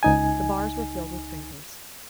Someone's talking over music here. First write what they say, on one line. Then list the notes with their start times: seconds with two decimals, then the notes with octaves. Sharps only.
The bars were filled with drinkers.
0.03 C#2 D#4 G#5